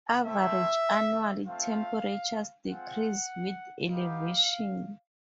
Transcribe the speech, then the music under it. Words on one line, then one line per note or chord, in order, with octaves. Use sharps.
Average annual temperatures decrease with elevation.
A3 C4 E4 E5
A3 C4 F4 F5
G#3 C4 F4 F#5
B3 D#4 G4 F5